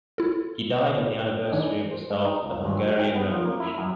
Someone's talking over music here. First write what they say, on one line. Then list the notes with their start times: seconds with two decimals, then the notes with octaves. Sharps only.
He died on the anniversary of the start of the Hungarian revolution.
0.18 E4 A4
1.51 E3 D4 D#4
1.91 C5
2.10 G#3
2.25 D#4
2.43 C#2
2.63 G#1
2.76 F#3
2.99 G5
3.15 B3
3.32 F3
3.46 A#3
3.60 E4
3.78 F#2